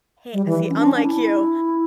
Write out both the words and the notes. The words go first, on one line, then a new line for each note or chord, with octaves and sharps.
ha see, unlike you,
G3
E3
C#4
D4
C#4
D4
E4